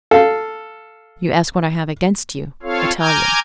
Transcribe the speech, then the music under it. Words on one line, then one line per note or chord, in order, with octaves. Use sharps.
You ask what I have against you; I tell you.
A4 F5
C4 F4 A4 C#5 F5
G#5 A#5 D6 F6 G6 G#6